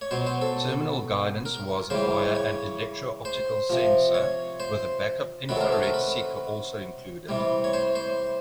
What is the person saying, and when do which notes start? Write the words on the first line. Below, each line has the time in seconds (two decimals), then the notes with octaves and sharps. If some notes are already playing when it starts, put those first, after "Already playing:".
Terminal guidance was via an electro-optical sensor, with a backup infrared seeker also included.
0.01 C#5
0.11 B2 F#3 C5
0.26 C5
0.41 A4
1.46 A#4
1.90 C#3 E3 G3 C5
2.35 C#5
3.25 C5
3.70 C3 F3
4.14 C#5
4.60 C5
5.49 C3 D#3 F#3 B4
5.55 A4
5.61 A#4
5.72 A4
5.83 A#4
5.94 B4
7.29 C3 E3 G3
7.64 C#5
7.73 C5
7.95 C5